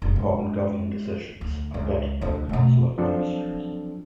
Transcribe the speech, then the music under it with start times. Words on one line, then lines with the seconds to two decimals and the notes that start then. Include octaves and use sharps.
Important government decisions are vetted by the Council of Ministers.
0.02 F1
0.16 G#3
1.41 D2
1.74 C#2
2.21 D2 D4
2.49 B2 A3
2.98 F3 F#3 C4 D4 A4